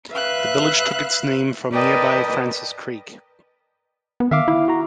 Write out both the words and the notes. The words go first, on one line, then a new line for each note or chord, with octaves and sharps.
The village took its name from nearby Francis Creek.
B4 E5 F5 F#6
A#4 B4 D5 D#5 G5 A5
B3
D#3 E5 F5 D6
E4
F#4 A#5